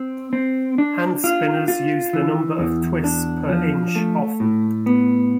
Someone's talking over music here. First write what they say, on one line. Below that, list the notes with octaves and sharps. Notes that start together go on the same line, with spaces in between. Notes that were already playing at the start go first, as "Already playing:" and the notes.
Handspinners use the number of twists per inch often.
Already playing: C4
C4
D4
F4
F4
E3
E2
D4
F3
A3
A2
B3